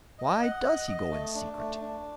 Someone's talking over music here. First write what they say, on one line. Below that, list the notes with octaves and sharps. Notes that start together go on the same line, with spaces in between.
Why does he go in secret?
D#5
F#5
D#5
D#5
A3
D4
A3
D4